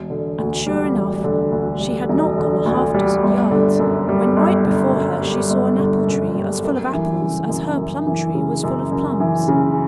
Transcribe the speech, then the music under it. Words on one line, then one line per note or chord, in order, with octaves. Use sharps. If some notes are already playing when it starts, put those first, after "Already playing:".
And sure enough she had not gone a half dozen yards when, right before her, she saw an apple-tree as full of apples as her plum-tree was full of plums.
Already playing: E1
D3
D2
G3
E1
D3
D2
G3
E1
D3
D2
G3
G1
D3
F#2
G3
G1
D3
F#2
G3
G1
D3
F#2
G3
F#2
E3
C#3
F#2
F#2
E3
C#3
F#2
F#2
E3
C#3